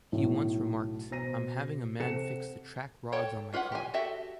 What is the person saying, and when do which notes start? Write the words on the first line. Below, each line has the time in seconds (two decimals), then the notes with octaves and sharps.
He once remarked: I'm having a man fix the track rods on my car.
0.12 B1 A2
1.11 B2 C5 A#6 D#7
2.00 C3 A4 F#5 C#7 E7
3.12 A4 C#5 G5
3.53 C#4 F4 B4 E5 F#5
3.72 G4 G#5
3.94 F#4 G4 A4 E5